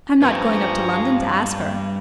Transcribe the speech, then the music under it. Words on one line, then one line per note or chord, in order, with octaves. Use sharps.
I'm not going up to London to ask her.
G2 F3 B4 G#5 A#5 C#6
F5